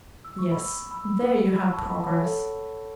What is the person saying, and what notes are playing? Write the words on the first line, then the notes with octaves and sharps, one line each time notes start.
Yes, there you have progress.
E6
C#6
B5 E6
B5 E6
B5 E6
A5 C#6
F#5 B5
A5
C#5 F#5
A4